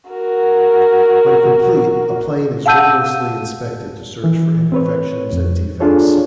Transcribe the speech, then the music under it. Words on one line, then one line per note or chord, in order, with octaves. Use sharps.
When complete, a plane is rigorously inspected to search for imperfections and defects.
F#4 A#4
F5 F#5 A5 E6 G6 D#7
E3
C4 B4 C#5
F2
D4 F4 G#4 A4 C#5